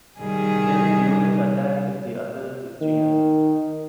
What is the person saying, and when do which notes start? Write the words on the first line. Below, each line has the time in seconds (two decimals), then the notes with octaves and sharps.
Then Beurling attacked the other Reggiane.
0.19 C3 D#3 G3 G#4
2.82 D#3